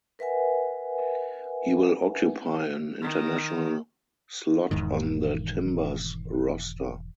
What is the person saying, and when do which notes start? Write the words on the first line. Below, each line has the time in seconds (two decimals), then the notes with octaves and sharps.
He will occupy an international slot on the Timbers roster.
0.19 A#4 B4 E5 F#5 G#5
3.03 D#3
4.71 E1 E2 G#2 D#3